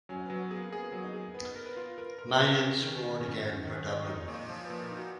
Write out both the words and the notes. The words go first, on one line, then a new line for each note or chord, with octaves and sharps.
Mannion scored again for Dublin.
F#3 C#4
F#3 B3
B3
A#3 G#4
B3 G#4
F#3
D#4
G#4
B3 B4
A#4
B4
F4
A#4 B4
A#4
B4
A#4
C#4
D#3
D#3
C#4
C#4
D#3
G#3 C#5
D#5
D#4
C#5
A#2
D#5
F3
B4
A#2
A#4
D#4 F#4